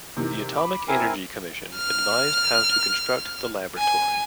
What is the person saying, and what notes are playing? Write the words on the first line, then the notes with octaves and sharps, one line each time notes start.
The Atomic Energy Commission advised how to construct the laboratory.
C3 D#3 E3
B5 D6
C4 E4 A#4 G#5
F6
G#5